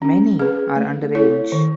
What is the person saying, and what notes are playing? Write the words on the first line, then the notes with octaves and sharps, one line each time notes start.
Many are underage.
C#4
G#4 B4
A3
E4 A4 C#5
D#3